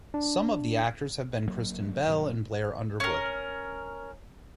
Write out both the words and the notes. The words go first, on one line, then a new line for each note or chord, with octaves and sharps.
Some of the actors have been Kristen Bell and Blair Underwood.
D4
D2 F#3 A#3
G2 B2 F#3
C#4 A#4